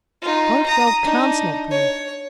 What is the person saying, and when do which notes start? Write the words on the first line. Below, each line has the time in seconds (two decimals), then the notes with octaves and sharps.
Pope thou canst not be.
0.22 D#4 F4
0.66 A#5 D#6
1.03 D4 D#4
1.71 C#5